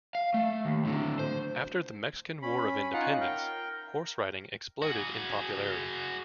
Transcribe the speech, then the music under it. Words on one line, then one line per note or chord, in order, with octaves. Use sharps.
After the Mexican War of Independence, horse riding exploded in popularity.
F5
A3
D#2
A2 D3
C5
C#4 B5
C#4 D#4 F4 F5 F#5
A#4 G5
F#4 G#4